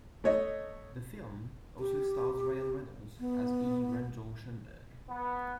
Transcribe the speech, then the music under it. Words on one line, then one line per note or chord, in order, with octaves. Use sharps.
The film also stars Ryan Reynolds as E. Randol Schoenberg.
A3 C#5 D#5
G4
B3
B3